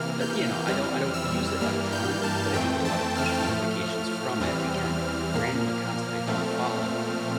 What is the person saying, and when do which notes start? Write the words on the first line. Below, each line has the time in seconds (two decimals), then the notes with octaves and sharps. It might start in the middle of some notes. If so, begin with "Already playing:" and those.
But, you know, I don't I don't use it a ton, but I do get a lotta push notifications from it. Again, random accounts that I don't follow,
Already playing: C3 E3 A#3 F6
0.20 G6
0.67 F2 E3 G3 C4 F6
1.14 E6
1.61 G2 E3 G3 A#3 F6
1.92 G6
2.23 A5
2.53 F2 E3 A3 C4 G5
2.85 A5
3.17 F6
3.48 A2 F3 A3
4.40 E2 E3 G3 C4
5.33 A#2 F3 A#3 F6
6.27 A#2 F3 A3 C4